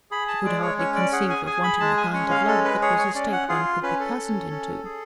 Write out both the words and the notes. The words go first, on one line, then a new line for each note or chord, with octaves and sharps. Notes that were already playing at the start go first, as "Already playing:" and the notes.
She could hardly conceive of wanting the kind of love that was a state one could be cozened into...
G#4 B5
A5
G#3 D5
C#5
C#4 C#5
D5
G#4 F#5
G#5
G#4 G#5
B5
G#3 A5
G#5
C#4 C#5
F5
G#3 A4
B4
G#4 C#5
C#5
C#4 D5
F#5
F4 G#4
C#4 B4
A4
C#4
C#4
G#4